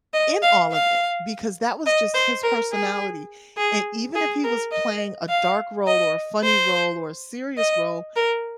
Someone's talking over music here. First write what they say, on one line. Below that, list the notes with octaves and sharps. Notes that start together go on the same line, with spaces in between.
in all of it because that was just his personality, and even if he was playing a dark role, or a funny role, or a serious role,
D#5
F5
F5
D#5
C5
A#4
G#4
G#4
G#4
A#4
D#5
F5
D#5
C5
D#5
A#4